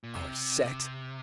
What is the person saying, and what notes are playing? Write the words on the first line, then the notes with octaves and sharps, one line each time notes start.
Our sex!
A#2
C3